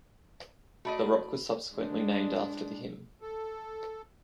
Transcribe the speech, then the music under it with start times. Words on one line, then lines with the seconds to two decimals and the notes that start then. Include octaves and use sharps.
The rock was subsequently named after the hymn.
0.85 A3 F#4 D5 D#5 B5
1.73 G#3 D4
3.21 A4